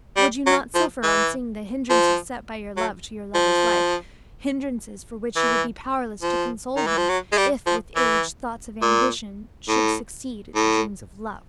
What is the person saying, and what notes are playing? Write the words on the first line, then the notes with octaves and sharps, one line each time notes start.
Would you not-suffer on seeing the hindrances set by your love to your lover's life, hindrances for which you would be powerless to console him, if, with age, thoughts of ambition should succeed to dreams of love?
G3
F#3
F3
E3
F3
F#3
F3
E3
F3
D#3
E3
F3
F#3
G#3
G3
F3
E3
A#2
A2
A2